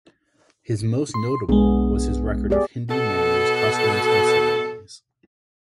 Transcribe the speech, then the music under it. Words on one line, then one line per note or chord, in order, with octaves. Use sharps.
His most notable was his record of "Hindu manners, customs and ceremonies".
C6
B1 G#3 B3 D4 G#4
G4 G#4 D5
B2 A4